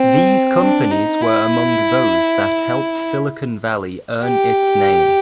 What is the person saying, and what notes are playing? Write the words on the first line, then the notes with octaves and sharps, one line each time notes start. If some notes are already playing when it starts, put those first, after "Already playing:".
These companies were among those that helped Silicon Valley earn its name.
Already playing: C4
D4
D#4
E4
G4